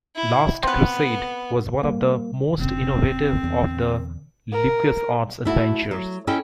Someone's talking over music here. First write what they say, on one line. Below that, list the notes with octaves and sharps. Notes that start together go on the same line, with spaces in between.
"Last Crusade" was one of the most innovative of the LucasArts adventures.
E4
B3 C4 B4
G3 A#3
F1 G#2 C#3 C4
E2 D3
A#4
A3 E4 F#4
F#3
C#4 E4 A4 D#5 G5